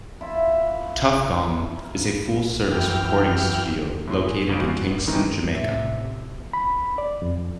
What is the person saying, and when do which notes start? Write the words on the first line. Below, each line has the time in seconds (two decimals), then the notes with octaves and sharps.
Tuff Gong is a full-service recording studio located in Kingston, Jamaica.
0.21 E4 F4 E5 B5
2.72 F#2 E3 G5 F6
4.07 A2 F#3 C6
4.27 G#4
4.49 G#1 C#2 C#3 G#3 D7
4.69 F#4 C7
4.92 A1
5.07 D#3 E3 G#3 C4 C#4 D#4
5.55 A2 C3 E5
6.53 B5
6.98 D5
7.22 F2